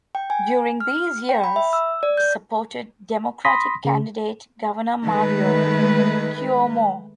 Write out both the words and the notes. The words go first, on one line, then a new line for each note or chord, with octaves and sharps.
During these years, he supported Democratic candidate Governor Mario Cuomo.
G5
G#5
F6
G5
B5
E5
E6
D5
G6
B5 C6 D#6 A#6 B6
C#3
D#3 G#3 A3 B4